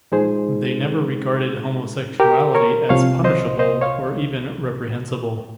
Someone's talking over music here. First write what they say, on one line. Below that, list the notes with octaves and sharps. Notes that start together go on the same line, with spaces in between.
They never regarded homosexuality as punishable or even reprehensible.
A#2 F3 G#3 D#4 G#4 C5
G4 A#4
A#4 C#5
C2 C3 F3 C#5 F5
C5 D#5
C5 D#5
C#5 F5